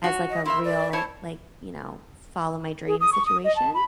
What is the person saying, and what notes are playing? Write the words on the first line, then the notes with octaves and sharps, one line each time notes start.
as, like, a real, like, you know, follow my dream situation?
F#4 C#5
D#5
E4 A#4 E5 C6
D5
E4 C5 C#5 A5
G#4
D#6
C#6
D#6
D#5
A5
B5